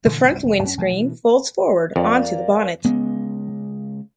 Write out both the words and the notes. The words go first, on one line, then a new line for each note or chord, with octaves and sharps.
The front windscreen folds forward onto the bonnet.
A#2 D3 E3 A3
C2 G2
F1
F#2 C#4
B1 F3 A3
B2 E3
F2 A#4 D5 F5
C#3 G#3 B3